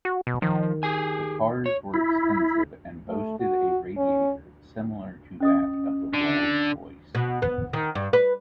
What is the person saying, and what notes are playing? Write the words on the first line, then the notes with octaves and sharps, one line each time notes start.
The cars were expensive and boasted a radiator similar to that of the Rolls-Royce.
F#4
B2
D#3 F3
G4 G#4 G#5
C#5
E4
A3
F#4
C#4
C#4 D#5 D#6
D3
B2
B3
D#3
G2
B4